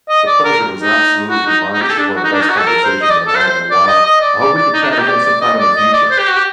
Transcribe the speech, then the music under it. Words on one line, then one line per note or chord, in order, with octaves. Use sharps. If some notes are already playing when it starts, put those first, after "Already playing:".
the pleasure was absolutely mine. This is one of the best conversations I've had in a while. I hope we can chat again sometime in the future.
D#5
D5
A#4
D#4
F#4
D#4
D#4
G4
A4
D4
F#4
D#4
D4
D#4
F#4
A4
A#4
C5
D#5
D5
A4
C5
D5
D#5
D#5
D5
D5
D5
D#4
D4
D#4
G4
D5
D5
D#5
D5
D#5
D5
C5
G4
F#4
G4